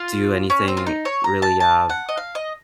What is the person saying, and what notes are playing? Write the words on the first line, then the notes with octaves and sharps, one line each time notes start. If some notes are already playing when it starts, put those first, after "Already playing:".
do anything really, uh,
Already playing: F4
C#4
C4
F4
D#4
C#5
A#5
A5
A5
F#5
D#5
F5
D#5